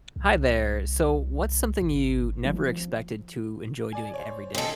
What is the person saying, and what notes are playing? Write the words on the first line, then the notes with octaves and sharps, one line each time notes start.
Hi there, so, what's something you never expected to enjoy doing every day?
C2
G#1
F3
D5 G#5
C5 C#5
G#4 A4 C5 D#5 G5